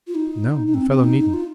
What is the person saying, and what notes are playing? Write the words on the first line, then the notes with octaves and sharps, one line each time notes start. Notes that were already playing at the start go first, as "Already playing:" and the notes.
"No, the fellow needn't."
F4
D#4
D#4
C4
C4
D#4
D#4
F4